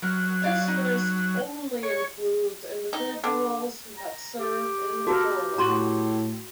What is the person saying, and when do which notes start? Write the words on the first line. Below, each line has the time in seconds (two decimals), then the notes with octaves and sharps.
This list only includes individuals who have served in the Quorum.
0.02 F#3 A#4
0.42 C#5 D5 F5
0.68 D#4
1.83 C#5
2.93 D#4
3.24 D3
3.98 A#5
4.39 G4
5.07 F#4 A4 A#4
5.58 A2 F#4 A#5 C6